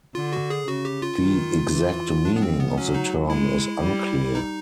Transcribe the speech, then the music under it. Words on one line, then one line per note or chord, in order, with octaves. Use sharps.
The exact meaning of the term is unclear.
D3 F4
F#4
G#4
C#3 F#4
G4
F4
D#3
E3
F3 D4
B3
C4
B3
F#3 C#4
D#4
G#3 E4
G3
D#4